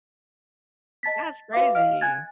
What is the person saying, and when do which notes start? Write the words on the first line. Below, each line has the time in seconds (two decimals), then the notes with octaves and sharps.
That's crazy.
1.03 D#5 A5 A6 B6
1.22 A6
1.53 F#4 B4 E5 F5 D6
1.75 D#5 F5 F6 D7
2.01 G#5 F#6 G#6 A6